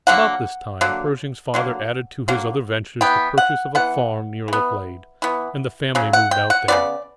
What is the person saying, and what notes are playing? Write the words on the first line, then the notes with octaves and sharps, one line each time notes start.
About this time Pershing's father added to his other ventures the purchase of a farm near Laclede, and the family moved out there.
D3 F#3 A#3 F#5
D3 F#3 A#3
D3 F#3 A#3
D3 F#3 A#3
E3 B3 G5
F#5
E3 B3 F#5
E3 B3
E3 B3
C#3 F#3
F#5
G5
F#5
C#3 F#3 B3 D5